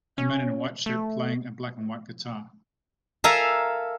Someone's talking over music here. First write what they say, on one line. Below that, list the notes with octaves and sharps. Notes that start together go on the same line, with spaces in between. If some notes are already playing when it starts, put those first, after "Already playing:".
A man in a white shirt playing a black and white guitar.
C#4
A3
A4 A#4 E5 F5 G#5 A#5